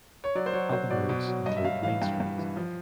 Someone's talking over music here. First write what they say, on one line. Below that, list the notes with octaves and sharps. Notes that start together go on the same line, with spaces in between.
Other routes include Main Street.
C#5
F#3 D5
C5
F#3 C#5
F#3 C5
B2 D5
B2
F#3
G2 D#5
E5
G2 F5
E3 F5
G2 G5
G2
E3
F3